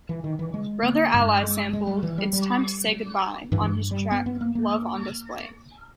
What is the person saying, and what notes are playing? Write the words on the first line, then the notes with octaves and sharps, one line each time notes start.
Brother Ali sampled "It's Time to Say Goodbye" on his track "Love On Display".
E3
D#3
E3
G#3
A#3
G2 G#3
G#3
G#3
G3
E3
G3
G3
G2 E3
G3
B3
B3
A#3
A#3